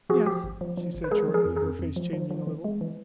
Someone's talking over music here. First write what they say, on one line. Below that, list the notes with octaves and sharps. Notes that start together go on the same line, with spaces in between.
"Yes," she said shortly, her face changing a little.
F3 F#4 G#4
F3 G4
G#1
F3
F3
G#1
B4
G#3 G#4 A#4
F3
G#4 A#4
F2
G#4 A#4
F2
F2
F3
F3
F3
E3
G#3
E3